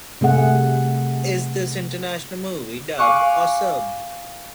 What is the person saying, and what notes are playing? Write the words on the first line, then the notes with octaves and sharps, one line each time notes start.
Is this international movie dubbed or subbed?
C3 A3 G#4 F#5
F5 G#5 C#6 D6 F#6